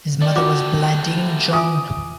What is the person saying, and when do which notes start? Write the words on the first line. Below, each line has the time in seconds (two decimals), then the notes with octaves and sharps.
His mother was Bladine John.
0.21 A3 G4 D5
0.36 F4 F#4 D6
1.53 F4 G#5 D6 D#6